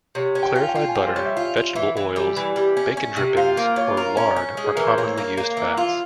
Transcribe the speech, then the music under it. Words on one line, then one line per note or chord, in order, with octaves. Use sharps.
Clarified butter, vegetable oils, bacon drippings or lard are commonly used fats.
C3 C#5
C#4
G5
F4
F5
G5
F4
G#5
G3 G5
C5
G3 C#5
E5
F4 F5
F4
E3 E5
E3
G3
E3
G3
C#4
C#4
C3
F4 C5
A#3
F4 C#5
A#4
C#4 C#5
C#4
G#3
G#4
E3 A#4
C5
A#3 C#5
A#3
A#3
E3
F4 F5